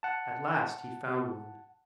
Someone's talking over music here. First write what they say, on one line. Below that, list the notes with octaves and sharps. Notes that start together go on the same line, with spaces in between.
At last he found one.
F#5 A5